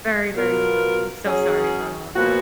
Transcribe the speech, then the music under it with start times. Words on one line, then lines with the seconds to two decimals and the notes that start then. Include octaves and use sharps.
Very, very true. I'm so sorry about all of that.
0.34 B2 F#3 B3 F4 A#4
1.25 F#3 C#4 G#4
2.16 A#2 F3 B3 F#4